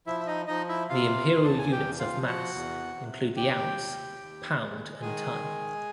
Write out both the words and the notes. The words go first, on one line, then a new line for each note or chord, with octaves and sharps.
The Imperial units of mass include the ounce, pound, and ton.
F3 E4 E5
E5
D#4 D#5
F3 D#4 D#5
E4 E5
C3 F4 F5
E2
A5
G#5
E2 G4 G5
F4 F5
F3
F#4 F#5
E2
C3
D#2 G4 G5
D#2
D#2
G#3
D#3 G#4 G#5
G#3